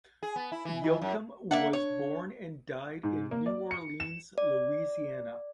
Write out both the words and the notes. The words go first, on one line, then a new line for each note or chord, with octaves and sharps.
Yochim was born and died in New Orleans, Louisiana.
G#4
B3
E4
E3
D#3
F#2
A#3 D4 E5 F#5
C#5
G#2
A#3
D5
C#7
E7
D5